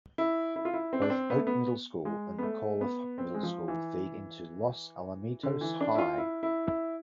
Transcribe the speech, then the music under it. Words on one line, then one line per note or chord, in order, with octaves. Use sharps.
Both Oak Middle School and McAuliffe Middle School feed into Los Alamitos High.
E4
E4
F4
E4
C4
D4
C4
B3
A3
B3
G#3
B3
A3
B3
C4
G#3
F3
E3
D3
E3
D4
E4
F4
E4
E4
E4